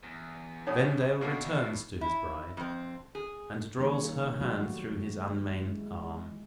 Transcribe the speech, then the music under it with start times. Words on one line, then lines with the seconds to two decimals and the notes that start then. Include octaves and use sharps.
Vendale returns to his bride, and draws her hand through his unmainied arm.
0.03 E2
0.67 A#1 G2 D#4 C#5 D#6
1.21 B2 A#3 B3 D4 E4
2.01 E4
2.57 F2 C4
3.15 G#4
3.79 D#3 G3 A#3 D#4 G#4 C#5
4.40 F#3 G3 A3 E4 F#4 G4
4.91 G#3
5.66 G#3 E4